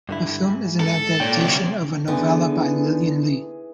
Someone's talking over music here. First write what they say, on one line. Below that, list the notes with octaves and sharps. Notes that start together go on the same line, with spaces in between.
The film is an adaptation of a novella by Lillian Lee.
G2 D3 E4
G#2
A4
A#2 C#5 G5
D2 C3
D3 E3 B3 D#4 G#4